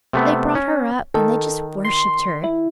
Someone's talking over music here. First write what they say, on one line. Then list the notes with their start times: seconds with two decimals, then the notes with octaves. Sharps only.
They brought her up and they just worshipped her.
0.13 C3 A3 B3
0.55 C#4
1.14 D#3 A4
1.85 C6
2.44 E4